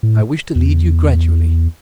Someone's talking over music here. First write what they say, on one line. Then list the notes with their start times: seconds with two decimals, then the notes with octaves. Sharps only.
I wish to lead you gradually.
0.03 A2
0.55 E2